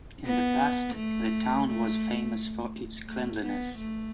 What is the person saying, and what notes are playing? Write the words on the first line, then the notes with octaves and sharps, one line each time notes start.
In the past the town was famous for its cleanliness.
B3
A3
A3
A3
B3
A3